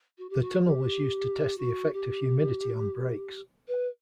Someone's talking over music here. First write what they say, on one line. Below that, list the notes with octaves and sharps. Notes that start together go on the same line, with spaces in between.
The tunnel was used to test the effect of humidity on brakes.
F#4
G4
F#4
G4
F#4
G4
B4